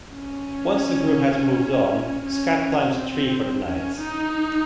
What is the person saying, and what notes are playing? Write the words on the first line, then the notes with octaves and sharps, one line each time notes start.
Once the group has moved on, Skat climbs a tree for the night.
C#4
C#4
C4
C#4
D#4